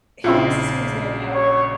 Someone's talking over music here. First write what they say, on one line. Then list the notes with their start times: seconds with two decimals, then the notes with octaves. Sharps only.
he was the sweetest man ever.
0.24 A#1 C#3 C4 E4 F4
1.34 C#5